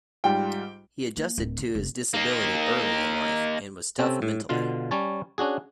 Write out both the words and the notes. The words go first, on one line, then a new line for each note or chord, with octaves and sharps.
He adjusted to his disability early in life, and was tough mentally.
G#2 G3 F4 G5
A#3
D1
D3
F1
A#3 D#4
C3 C4 C#4 A4
A2
B2 D3 F4 F5
G3 C#4 C#5 A5
C#4 D4 F#4 G#4